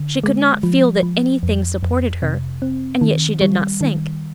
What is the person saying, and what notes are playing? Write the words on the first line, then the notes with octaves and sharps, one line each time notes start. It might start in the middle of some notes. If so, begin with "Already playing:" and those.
She could not feel that any thing supported her, and yet she did not sink.
Already playing: D3
G#3
F3
F3
F2
F2
C3
C4
D#3
G3
D#3